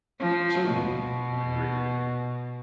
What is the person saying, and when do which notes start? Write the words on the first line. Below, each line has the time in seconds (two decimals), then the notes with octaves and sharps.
"Certainly!" I agreed.
0.20 F3
0.67 B2